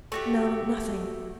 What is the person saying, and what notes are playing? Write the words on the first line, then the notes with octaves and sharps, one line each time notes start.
'No, nothing.
A3 F#4 G4